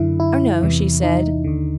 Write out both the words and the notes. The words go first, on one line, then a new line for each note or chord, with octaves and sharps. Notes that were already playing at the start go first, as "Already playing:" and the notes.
"Oh no," she said.
Already playing: F#2 D3 E4
E4
E2 C3 E3
D#4
D#2 D3